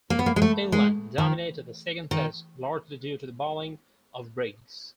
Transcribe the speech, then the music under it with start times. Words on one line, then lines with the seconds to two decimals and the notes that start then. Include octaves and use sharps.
England dominated the second Test, largely due to the bowling of Briggs.
0.10 A#3
0.19 B3
0.26 A#3
0.36 G#3
0.42 A3
0.72 G#3
1.18 D#3
2.11 D#3